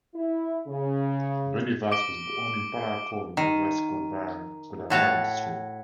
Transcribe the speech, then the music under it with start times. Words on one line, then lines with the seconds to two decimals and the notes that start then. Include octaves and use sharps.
Bunny Vas was born in Palakollu in West Godavari district.
0.14 E4
0.67 C#3
1.92 D6 D7 G7
3.37 D#3
4.90 A2 F#4 C#5 A5